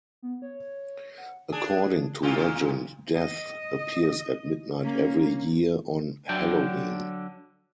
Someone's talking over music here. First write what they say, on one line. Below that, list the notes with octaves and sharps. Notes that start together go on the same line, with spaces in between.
According to legend, "Death" appears at midnight every year on Halloween.
B3
C#5
F#5
D4 G#4
G#2 C3 F4
D#5
A#3 C#4
D3 F#3 D4 G5